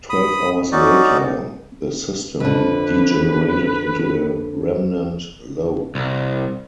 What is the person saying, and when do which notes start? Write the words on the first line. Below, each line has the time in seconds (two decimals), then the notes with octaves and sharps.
Twelve hours later, the system degenerated into a remnant low.
0.10 B5 D#6
0.72 C#4 D#4 F#4 D5
2.40 F2 D3 B4
5.95 C2